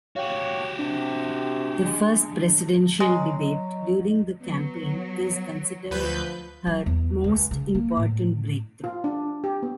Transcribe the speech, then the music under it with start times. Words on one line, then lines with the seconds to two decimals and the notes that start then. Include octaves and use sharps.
The first presidential debate during the campaign is considered her most important breakthrough.
0.16 F#4 G4 C#5 F5 G5
0.79 C3 D4
1.85 G#3
3.00 F#3 G#3 D#5
4.42 F#3 B3
5.91 D2 F3 B4 G6
6.67 F#3
6.86 E2
7.24 C#2
7.51 C#3
7.75 A#3
7.97 A2
8.84 F4
9.04 D4
9.44 G4
9.63 B3